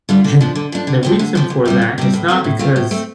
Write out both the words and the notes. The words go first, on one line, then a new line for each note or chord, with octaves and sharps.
And the reason for that is not because
D3 G3 F4
D3
F3 D4
D3
F3 D4
D3
F3 C4 G4
D3
F3 C4 G4
D2
C3 G3 C4
D2
C3 G3 C4
A2
A3 C4 F4
A2
A3 C4 F4
A2
A3 C4